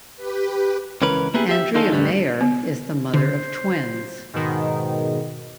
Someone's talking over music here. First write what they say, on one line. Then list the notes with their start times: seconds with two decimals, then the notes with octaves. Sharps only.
Andrea Mayer is the mother of twins.
0.16 G4 B4
1.02 C#2 E3 C#4 A#4 B4
1.34 A#3 B3 E4 G4 G#4
1.49 G4 E5
1.75 D3 D#3 D#4 F4 G#4 A4
1.92 F2 A2 E3 G3
2.41 B3
3.14 D3 C5
4.34 G#2 B2 D#3